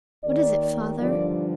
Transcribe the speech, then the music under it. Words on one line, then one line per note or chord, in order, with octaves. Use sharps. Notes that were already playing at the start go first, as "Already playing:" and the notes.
"What is it, father?"
D#2 D#3 D5
G2 D3 F3 D5